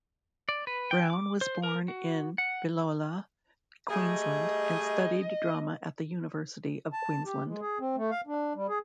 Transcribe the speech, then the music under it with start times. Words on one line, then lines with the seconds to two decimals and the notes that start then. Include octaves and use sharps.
Brown was born in Biloela, Queensland and studied drama at the University of Queensland.
0.49 D5
0.67 B4
0.91 G5
1.10 D6
1.41 C5
1.63 A#4
1.88 F#4
2.38 F#5
3.89 G3 A3 G#4 D#5
6.93 A5
7.25 G4
7.47 G#3
7.61 G#4
7.80 C4
7.96 A3
8.11 F5
8.27 D4
8.55 G3
8.69 G#4